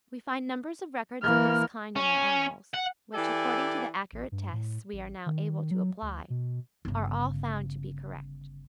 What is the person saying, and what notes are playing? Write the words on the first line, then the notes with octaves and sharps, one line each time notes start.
We find numbers of records of this kind in our Annals, which, according to the accurate tests we are now able to apply, are all found to be correct.
E3 A#3 F6
C#4
F#5
E3 G4 A4 D5 G#5
A1
G2
A2
A1
D#3
F#3
D2
B2
G1 C#3